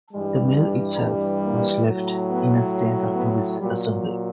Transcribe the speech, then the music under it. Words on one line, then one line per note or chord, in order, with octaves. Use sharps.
The mill itself was left in a state of disassembly.
G2 E3 G3 G#3
D4
A3
A#3
A2 F#3
B3
B3
A#2 F#3 G3